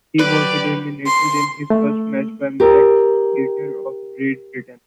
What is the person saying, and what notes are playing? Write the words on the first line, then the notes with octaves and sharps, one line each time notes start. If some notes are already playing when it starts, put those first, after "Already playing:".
He was eliminated in his first match by Max Cater of Great Britain.
F#3 G4 B4 D5
C6
A3
G4 A#4